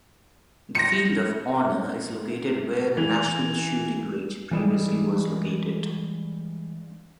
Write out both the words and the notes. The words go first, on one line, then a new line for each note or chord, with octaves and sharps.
The field of honour is located where the national shooting range previously was located.
A#6 C#7
E3
E3 G3 G#3